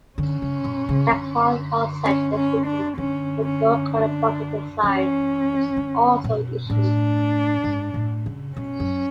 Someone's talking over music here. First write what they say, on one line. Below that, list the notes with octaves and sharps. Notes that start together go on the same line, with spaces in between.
A cloth lozenge depicting the gold colored button design was also issued.
D3 C#4
C#3
B2
C#3
D3
C#4
C#4
D4
D3 C#4
C#4
D4
E3 C#4
D3
B2
A2 D4
G#2
A2
C#3
B2 C#4
F#2